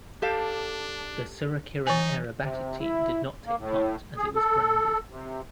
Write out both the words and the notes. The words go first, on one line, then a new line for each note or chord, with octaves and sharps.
The Suryakiran aerobatic team did not take part as it was grounded.
D4 G4 A4 F5
E3 D#4 G#5
C3
E4
A#3
A2
G#4
A4
C3